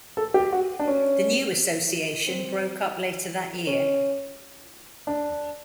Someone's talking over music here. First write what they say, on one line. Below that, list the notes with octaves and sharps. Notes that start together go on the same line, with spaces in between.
The new Association broke up later that year.
A4
G4
F#4
D4
C#4
C4
C#4
D4